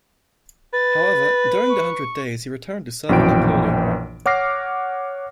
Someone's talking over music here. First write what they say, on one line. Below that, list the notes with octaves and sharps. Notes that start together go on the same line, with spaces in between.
However, during the Hundred Days he returned to serving Napoleon.
B4 A6
C#6
A#1 F#2 B2 E3 G5 D7
C#5 F#5 D6 F6 A#6 C7